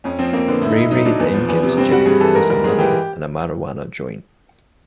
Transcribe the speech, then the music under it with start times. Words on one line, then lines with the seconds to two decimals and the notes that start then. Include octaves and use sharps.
Ray Ray then gives Jimmy some money and a marijuana joint.
0.04 F2 C#4
0.19 F3 C4
0.33 F2 A#3
0.48 D3 B3
0.62 A2 E4
0.71 D#4
0.76 A2 E4
0.91 F#3 D#4
1.05 F#3 D4
1.20 E2 B3
1.34 F3
1.48 E2 B3
1.63 C3
1.77 G2 C4
1.92 G3 F#4
2.06 G2 G#4
2.21 E3 A4
2.35 G#2 A#4
2.50 G3 A#4
2.64 G#2 G#4
2.78 E3 G4